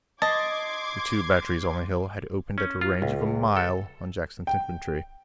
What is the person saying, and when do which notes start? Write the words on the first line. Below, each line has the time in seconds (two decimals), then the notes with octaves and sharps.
The two batteries on the hill had opened at a range of a mile on Jackson's infantry.
0.22 D#5 A5 C6 D6 G#6
2.58 C#4
2.81 F4
3.02 C#2
3.57 A4
4.47 G5